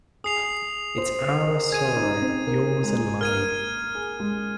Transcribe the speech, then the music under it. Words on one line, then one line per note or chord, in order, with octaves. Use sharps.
It’s our sorrow — yours and mine.
G#4 D#6 C7 F7
C5
C5
A#4
G#4 G#6 D#7
D#4
C4
A#3
G#3
A#3 F6 G#6 D#7
G#4
G#3